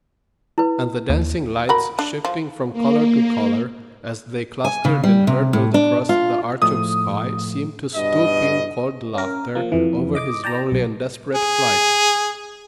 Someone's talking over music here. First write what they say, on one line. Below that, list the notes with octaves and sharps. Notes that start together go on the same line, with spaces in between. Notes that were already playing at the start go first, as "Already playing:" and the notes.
And the dancing lights, shifting from color to color as they clustered and hurtled across the arch of sky, seemed to stoop in cold laughter over his lonely and desperate flight.
E4 B4
D#2
F#4 A#4 B5
D4
F3
A#3
G#5
C#3
G3
C3
A2
D4
F4
A2 F3 A3 D#6
G2 B2 D#5
C#4 A#4
F3 A#3
F2 E3
D#5 D6
D5 G5 A5 A#5
B1
G#4